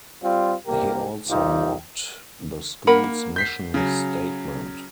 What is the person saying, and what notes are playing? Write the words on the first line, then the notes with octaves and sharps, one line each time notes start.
He also mocked the school's mission statement.
G3 C4 F4
C2 A#3 G4 A#4
C2 D#4 F4 G4
A#3 A#4 F#5 B5
G6 B6 C7
C#3 F#3